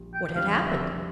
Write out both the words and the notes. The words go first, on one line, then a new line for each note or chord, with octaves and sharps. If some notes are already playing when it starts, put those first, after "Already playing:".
What had happened?
Already playing: A#1 G3
G5
F2 D3 G3 D4 G4 F5
E5